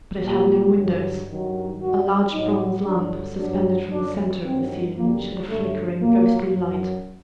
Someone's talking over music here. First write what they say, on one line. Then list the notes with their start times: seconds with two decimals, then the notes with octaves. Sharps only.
But it had no windows--a large bronze lamp, suspended from the centre of the ceiling, shed a flickering, ghostly light.
0.23 A#2 F#3 G4
0.75 G2 D3 F#3
1.28 G2 D#3 F#3
1.80 F#2 D#3 G3 F#4
2.33 A2 F#3 D#4
2.85 G2 D3 F#3 D4
3.38 G2 F#3 D4
3.90 F#2 D3 F#3 D4
4.43 G2 D#3 F#3 C4
4.95 F#2 D3 G3 A#3
5.48 G2 D3 F#3 A3
6.00 A#2 F#3 A#3
6.53 F#2 F#3